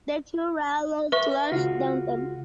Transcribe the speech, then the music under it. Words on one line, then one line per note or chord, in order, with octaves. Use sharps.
The two railroads cross downtown.
B4 E5 C#6
C#2 F4 F#4